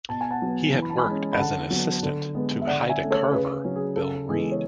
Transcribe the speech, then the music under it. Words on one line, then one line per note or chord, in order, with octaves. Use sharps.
He had worked as an assistant to Haida carver Bill Reid.
B2 A5
G#5
F#5 A5
F#3 B3
E3
B5
A5
G#5 B5
G#3
C#4
B5
D3 F#5 A5
F#3 B3
D3
G#3 B3
E5
D3 D5 F#5
E5 G#5
A3 C#4
A4 C#5
C#3 G#4 B4
F#3 C#4
G#4
C#3 A4
E3 G#3 B3 G#4
C#5